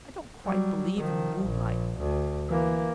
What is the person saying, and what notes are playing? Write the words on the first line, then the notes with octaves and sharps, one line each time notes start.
I don't quite believe in moonlight.
F#3 G3
D#3 F3
A#1
D2
E3 A#3